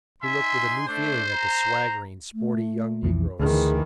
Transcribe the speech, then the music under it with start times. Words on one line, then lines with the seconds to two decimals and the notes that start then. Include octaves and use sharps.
He looked with a new feeling at the swaggering, sporty young negroes.
0.23 D#4 E5 G#5 C6
0.88 A3 D4 C5
1.33 A#5
2.34 A3
3.03 B1 F2 E3
3.40 D2 D#3 E3 G#4